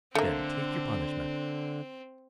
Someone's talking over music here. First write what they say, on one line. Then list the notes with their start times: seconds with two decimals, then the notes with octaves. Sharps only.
"Then take your punishment!"
0.15 D3 A3 A#3 C4